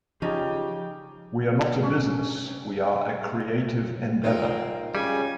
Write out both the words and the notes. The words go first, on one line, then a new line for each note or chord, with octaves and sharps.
We are not a business, we are a creative endeavour.
C#3 F3 D#4 G4
C#4
C4 D#4 F4 A#4
C#3 G3 G#5